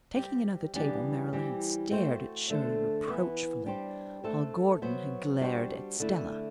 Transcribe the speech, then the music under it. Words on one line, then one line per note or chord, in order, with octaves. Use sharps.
Taking another table, Marilyn had stared at Shirley reproachfully while Gordon had glared at Stella.
G3 C4 G4
E3 G3 B3 D4 G4
E3 G3 C4 G4
A3 C4 F#4 C5
D3 A3 D4 A4 C5
E3 B3 E4 B4
G3 D4 G4 C5
A3 D4 A4 C5
F#3 B3 F#4 C5
G3 D4 F#4 C5
D3 A3 E4